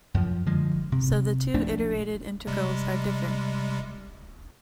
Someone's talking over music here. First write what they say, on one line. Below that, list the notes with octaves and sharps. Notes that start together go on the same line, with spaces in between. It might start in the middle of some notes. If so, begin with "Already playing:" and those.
So the two iterated integrals are different.
F#2 F3
D3 F3 G#3
C3
A#1 A3 D4
C3 G3 G#3